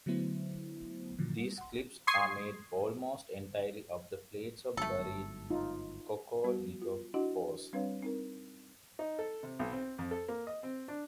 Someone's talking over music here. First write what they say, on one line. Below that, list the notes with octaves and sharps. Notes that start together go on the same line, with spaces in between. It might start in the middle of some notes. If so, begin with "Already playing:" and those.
These cliffs are made almost entirely of the plates of buried coccolithophores.
D3 F#3 A3 B3 E4 C5
A#2 D3 D#3 F3 F#3
G3
F#5 C6
C6 C#6 D#6 G#6 C7
G1 G#2 F#3 A3 A4
D#4 F4
G3 B3 F#4
F4
D4 E4 F#4 D#5 F#5
G3 C4 D4 B4 C#5 F5
C4 D#4 A#4
D#4
A4
C3
B1
C4
F2
A4
A#3
D#5
C4
D4